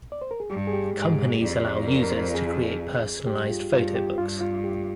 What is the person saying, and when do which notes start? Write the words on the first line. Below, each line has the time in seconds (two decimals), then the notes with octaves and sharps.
Companies allow users to create personalized photo-books.
0.12 D5
0.22 C5
0.31 A#4
0.40 G#4
0.50 G2 G4
0.67 G#4
0.73 G4
0.96 G#2
1.42 F2 D5
1.65 D5
1.88 A#4
2.03 A#4
2.11 C5
2.35 G#4
3.26 G2 G4
3.49 F4
3.72 G2 F4
3.95 G4
4.18 G2 F4
4.41 F4
4.64 G4